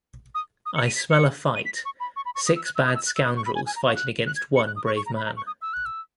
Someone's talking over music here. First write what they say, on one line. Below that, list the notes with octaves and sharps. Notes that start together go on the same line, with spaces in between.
I smell a fight — six bad scoundrels fighting against one brave man.
D#6
D#6
C#7
D#7
B6
C#7
D#7
B6
A#6
C#6
B5
C#6
B5
C#6
D#6
E6
F#6
E6
D#6
E6
F#6
E6
D#6
C#6
B5
G#5
G#5
A#5
C#6
F#6
F#6
G#6
C#7
F#6
D#6
C#6
C#6
A#5
B5
A#5
C#6
D#6
E6
F#6
E6